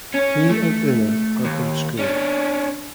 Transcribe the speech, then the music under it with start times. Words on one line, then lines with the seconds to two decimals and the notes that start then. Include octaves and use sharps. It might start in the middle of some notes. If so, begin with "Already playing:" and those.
He and Oona are homeschooled.
0.14 C#4 C#5
0.50 A3
1.45 D#2
1.99 C#4 D4